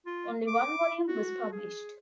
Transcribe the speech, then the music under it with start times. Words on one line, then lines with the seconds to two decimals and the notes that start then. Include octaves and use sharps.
Only one volume was published.
0.06 F4
0.47 D6
1.08 F#4
1.52 G#4